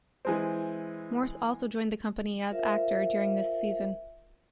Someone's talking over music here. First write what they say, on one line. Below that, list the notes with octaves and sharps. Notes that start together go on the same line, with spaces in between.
Morse also joined the company as actor during this season.
E3 G#3 C4
F4 A#4 C5 E5 F5